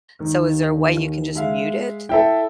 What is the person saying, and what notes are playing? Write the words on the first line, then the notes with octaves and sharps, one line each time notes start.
So, is there a way you can just mute it?
D#2 D#3
G#3 E5 F5
E4 A4 E5 G5